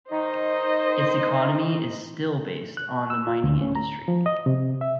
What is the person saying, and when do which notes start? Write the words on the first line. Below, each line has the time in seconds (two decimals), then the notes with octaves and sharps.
Its economy is still based on the mining industry.
0.11 D#3 D#4 C5 D#5
2.77 F#6
3.10 E6
3.27 F4
3.44 D2
3.61 C#4
3.75 A#5
4.08 F3
4.26 D#5
4.46 C3
4.81 E5